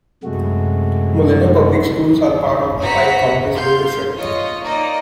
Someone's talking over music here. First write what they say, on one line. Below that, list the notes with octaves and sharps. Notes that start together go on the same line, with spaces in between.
Molena Public Schools are part of the Pike County School District.
F#2 C3 G#3 A3 F#4
F#4 B4 C5 A#5 B6 C#7
F5 C6 G6
F4 C#5 D#5
A#3 D#4 D5 D#5